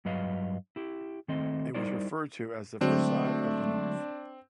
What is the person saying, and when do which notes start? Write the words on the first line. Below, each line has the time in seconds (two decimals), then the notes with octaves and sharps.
It was referred to as "The Versailles of the North".
0.05 G2 F#3 B4 D#5 F5
0.76 E4 G4
1.28 D#3 A3 C4 D#5
1.74 G3 D#4 E4 A#4 C5 D5
2.81 D3 F#3 G#3 A3 C4 D4